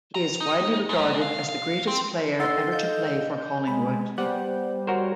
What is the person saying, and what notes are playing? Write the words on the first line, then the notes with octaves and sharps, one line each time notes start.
He is widely regarded as the greatest player ever to play for Collingwood.
A#5
D#4
G#2
F5
F5
C4
D#4 A4 F#5 C6 E6 A6
D#5 F5 G6
G#3 G#5 B5
G3 B3 C5 F#5 D6
F#4 A#4 C5 C#5 F#5